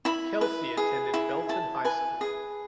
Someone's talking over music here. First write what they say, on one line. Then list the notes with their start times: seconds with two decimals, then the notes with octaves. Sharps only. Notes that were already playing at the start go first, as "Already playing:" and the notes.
Kelsey attended Belton High School.
0.05 E4 B5
0.41 B4
0.77 G#4
1.14 E4
1.49 E4 A5
1.85 B4 G#5
2.21 G#4